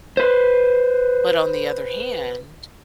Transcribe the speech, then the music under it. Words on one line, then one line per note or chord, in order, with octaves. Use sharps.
But on the other hand,
B4 C5